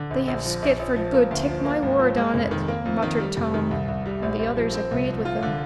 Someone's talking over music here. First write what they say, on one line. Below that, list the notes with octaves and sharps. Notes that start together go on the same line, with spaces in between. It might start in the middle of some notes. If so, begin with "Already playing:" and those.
"They have skipped for good, take my word on it," muttered Tom, and the others agreed with him.
Already playing: D3
A#1
A#1
F3
A#1
A#1
F3
A#3
D2
F3
A#3
G#1
F3
G#3
F1
D#3
A#3
F2
D#3
G3
F1
D#3
C2
C2
G3
A#1
A#1
F3
C4
C2
F3
F4
D3